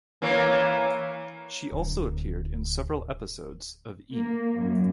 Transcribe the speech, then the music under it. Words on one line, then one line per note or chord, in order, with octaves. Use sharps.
She also appeared in several episodes of E!
E3 A#3 C#5
D1
A#3
F#2